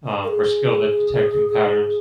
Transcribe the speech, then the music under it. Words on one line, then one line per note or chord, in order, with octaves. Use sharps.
Um, we're skilled at detecting patterns,
A#4
G#4